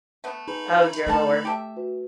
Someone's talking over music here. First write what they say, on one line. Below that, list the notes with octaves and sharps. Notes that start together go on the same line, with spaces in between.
Oh, dear Lord.
A3 B3
D#4 G#4 B4 G#5 B5
G3 A3 A#4 A5
G4 A4 E5
F#4 B4